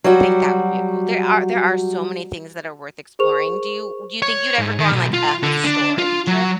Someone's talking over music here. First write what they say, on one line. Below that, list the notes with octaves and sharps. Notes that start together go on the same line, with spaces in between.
think that would be a cool There are, there are so many things that are worth exploring, do you do you think you'd ever go on like a historic trip,
F#3 G3 F#4
G#4 A#4 C5 C#6 F7
C#5
G#2
D#3
B1
F4
D3
D4
F4
F#3